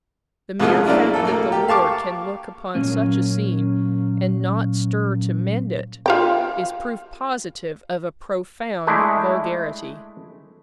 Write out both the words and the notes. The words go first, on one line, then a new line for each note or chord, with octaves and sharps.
The mere fact that the lord can look upon such a scene and not stir to mend it, is proof positive of a profound vulgarity.
C2 F2 G#3 A3 F4
F#3 A3 A#3 D4 E4
A#1 A4
A3 A#3 A#4
G4
F5 A5 C#6 D6
A#2 F#3 A#3 C#4
F4 G4 G5
G#3 A3 D4 E4